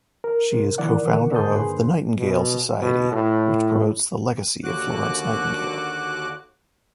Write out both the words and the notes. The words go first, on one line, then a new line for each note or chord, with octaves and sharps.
She is co-founder of "The Nightingale Society" which promotes the legacy of Florence Nightingale.
A#4
C3
D#3 E3 A#3 D5 F#5
D3 F#4
G2 A5 C6 D#6 G6
G#4 B4 C5 C6
B2
B2
A2
D#2 D3 F#4 D6 F#6